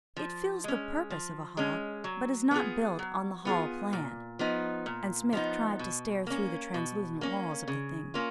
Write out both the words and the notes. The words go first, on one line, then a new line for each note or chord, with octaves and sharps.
"It fills the purpose of a hall, but is not built on the hall plan." And Smith tried to stare through the translucent walls of the thing.
F3
G#3 C#4
F3
G#3 C#4
F#3
B3 F4 G#4
F#3
B3 F4 G#4
A#2
F3 B3 D#4
A#2
F3 B3 D#4
B2
A#3 C#4
B2
A#3 C#4
C#3
A#3 C#4 F4